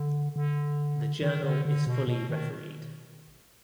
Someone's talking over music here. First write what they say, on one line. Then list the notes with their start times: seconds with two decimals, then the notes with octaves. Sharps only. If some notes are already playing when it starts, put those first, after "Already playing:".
The Journal is fully refereed.
Already playing: D3
0.36 D3
1.22 D#3
1.44 D3
1.65 D3
1.87 B2
2.08 B2
2.30 D#3